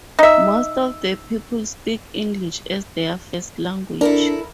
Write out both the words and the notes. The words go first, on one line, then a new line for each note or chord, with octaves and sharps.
Most of the people speak English as their first language.
D#4 E5
D4 E4 A4 A#4